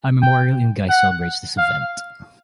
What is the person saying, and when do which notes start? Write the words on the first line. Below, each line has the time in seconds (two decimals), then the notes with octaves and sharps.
A memorial in Guise celebrates this event.
0.22 G5
0.89 F#5
1.58 F5